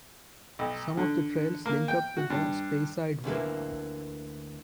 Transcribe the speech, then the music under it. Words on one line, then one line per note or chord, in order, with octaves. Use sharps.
Some of the trails link up with the Speyside way.
B1
D3
A#3
G5
F#4
G2
D2 D3 E3 A#3